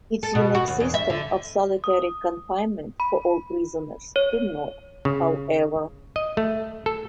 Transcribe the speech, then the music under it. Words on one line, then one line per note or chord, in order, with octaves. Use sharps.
Its unique system of solitary confinement for all prisoners did not, however.
A4
B2
F#4
D#2
E2
E5
D3
D#6
B5
C#5
C#3
D#5
A3
A4